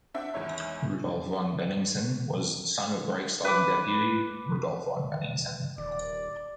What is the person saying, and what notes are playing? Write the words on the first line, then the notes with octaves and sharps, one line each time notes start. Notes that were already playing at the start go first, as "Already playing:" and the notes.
Rudolf von Bennigsen was a son of the Reichstag deputy Rudolf von Bennigsen.
C4 D4 E5 F#5
E2 G#2 C#5 E5
B4 D6
D#1 D5